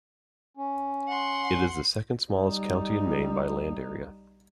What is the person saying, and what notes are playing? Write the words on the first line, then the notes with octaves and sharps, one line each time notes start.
It is the second-smallest county in Maine by land area.
C#4
F#5 C6
G3 D#4